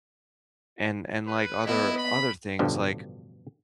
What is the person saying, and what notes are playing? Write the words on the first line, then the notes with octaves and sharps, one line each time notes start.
And and, like, other other things, like
B4
B3 E4 D#5
B5
A1 G2 B2 D3 F3